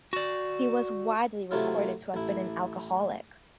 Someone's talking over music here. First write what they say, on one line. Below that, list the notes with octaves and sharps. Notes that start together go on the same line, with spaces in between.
He was widely reported to have been an alcoholic.
F#4 D5
C3 F#3 A3 E4 F4
A1 E4